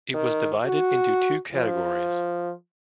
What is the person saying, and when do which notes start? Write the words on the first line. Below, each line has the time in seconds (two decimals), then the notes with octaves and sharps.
It was divided into two categories.
0.14 D#3
0.66 F#4
1.54 F3